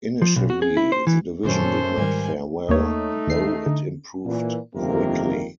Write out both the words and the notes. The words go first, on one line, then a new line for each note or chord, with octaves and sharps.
Initially, the division did not fare well, though it improved quickly.
F3
B1
F#4
G#4
E4
C5
E3
F#2 A#2 D#3 C#4 A4 C5
G#2 D#3 G3 A#4 G#5
D#2 A3 A#3 D#4 C#5
D#2 C7
D3
A#2 E3
G1 F2 C3 D#3 A#3 A#4